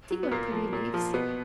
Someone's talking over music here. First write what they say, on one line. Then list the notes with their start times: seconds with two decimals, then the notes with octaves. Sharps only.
"See what pretty leaves."
0.11 F#3
0.23 B3
0.31 A#2 A#3
0.52 F3
0.73 A#2
0.94 F3
1.14 B2 B3